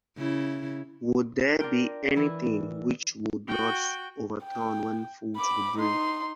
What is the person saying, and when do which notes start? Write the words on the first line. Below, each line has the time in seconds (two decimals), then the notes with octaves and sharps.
Would there be anything which would not overturn when full to the brim?
0.18 C#3 E4
1.60 D4 F4 A#4 G5
2.16 E3 E4
3.47 F#4 G5
4.44 G5
5.37 B5 D6
5.78 D#4 C6